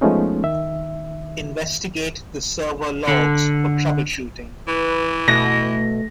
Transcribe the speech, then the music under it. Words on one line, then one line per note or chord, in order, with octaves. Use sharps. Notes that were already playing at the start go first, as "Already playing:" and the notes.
Investigate the server logs for troubleshooting.
F3 G#3 A3 B3 C#4 D#4
D#3 E5
D3
E3 B4
B2 A3 A#6